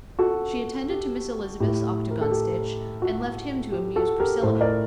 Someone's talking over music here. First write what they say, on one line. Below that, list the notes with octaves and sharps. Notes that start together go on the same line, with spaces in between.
She attended to Miss Elizabeth's octagon-stitch, and left him to amuse Priscilla.
F#4 A4
G4
A2 G4
A#4
A4
G4
F#4
G4
F#4 A4
G4 A#4
A2 A4 C5
A#4 D5